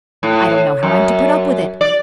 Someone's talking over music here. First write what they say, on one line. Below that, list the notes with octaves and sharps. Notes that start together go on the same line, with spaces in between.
I don't know how I'm to put up with it.
A2
F#2
D5